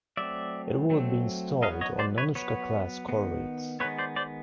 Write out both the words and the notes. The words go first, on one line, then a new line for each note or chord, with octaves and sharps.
It would be installed on Nanuchka-class corvettes.
F#3 A3 C4 D5 E5
F#3 A3 C4
F#3 B3 D#5 F5
C#5 D#5
C5 D5
B4 C#5
F#3 B3 B4 C#5
D#3 G#3 B3
D#3 G#3 B3 B4 C#5
C5 D5
C5 D5